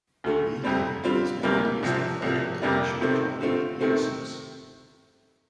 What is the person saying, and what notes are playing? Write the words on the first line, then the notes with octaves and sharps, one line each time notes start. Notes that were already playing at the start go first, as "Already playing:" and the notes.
Koike has now released a photo collection titled Innocence.
D2 D3 A3
F2 C3 G3 C4
D3 G3 C4 F4
D2 C3 G3 A#3
C2 C3 F3 C4
C2 C3 F3
F2 C3 G3 A#3 D4
C3 D#3 A3 C4
D3 A3 C4 F4
C3 D#3 A3 C4